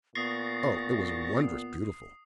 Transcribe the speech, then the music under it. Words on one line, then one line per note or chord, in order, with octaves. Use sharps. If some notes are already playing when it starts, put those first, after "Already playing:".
Oh, it was wondrous beautiful!
A#2 B3 C#6 D#6 A6 A#6 C7